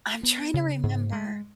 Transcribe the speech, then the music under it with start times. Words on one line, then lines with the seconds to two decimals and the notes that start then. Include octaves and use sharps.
I'm trying to remember.
0.23 B3
0.54 C#3
0.83 G#2
1.13 G#3